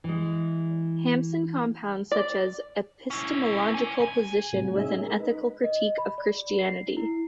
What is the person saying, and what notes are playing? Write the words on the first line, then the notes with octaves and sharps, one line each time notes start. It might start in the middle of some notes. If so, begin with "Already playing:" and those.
Hampson compounds such an epistemological position with an ethical critique of Christianity.
E3 G#3
D5
C#4 E4
D5 G#5
C2 G#5
A2 C3 F#3
C#4 D#4 G#4 E5
G#3 A#4
D#4 B4
D#5
B5
D5
C7
E4